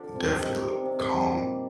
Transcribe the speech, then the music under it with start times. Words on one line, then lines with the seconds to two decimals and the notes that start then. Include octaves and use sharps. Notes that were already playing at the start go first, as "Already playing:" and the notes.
Definitely calm.
Already playing: D3 F3 D4
0.16 C3
0.39 D#3
0.62 C3
0.85 C3
1.09 G3
1.32 A#2